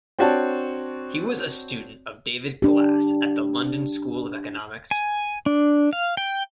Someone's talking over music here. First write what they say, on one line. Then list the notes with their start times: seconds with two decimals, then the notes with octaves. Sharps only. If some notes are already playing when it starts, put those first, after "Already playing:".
He was a student of David Glass at the London School of Economics.
0.19 C4 D4 F#4 C#5 A5
2.62 D4 G4
4.91 G#5
5.46 D4
5.93 F5
6.17 G5